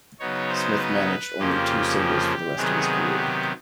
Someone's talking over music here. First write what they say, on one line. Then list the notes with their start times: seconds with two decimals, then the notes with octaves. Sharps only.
Smith managed only two singles for the rest of his career.
0.19 C#3 F#3 B3 D#4 C#5
0.49 C5
0.79 B4
1.38 F2 C#3 F3 A#3 G4
1.98 G4
2.57 C3 D#3 F#3 B3 G#4
3.17 G4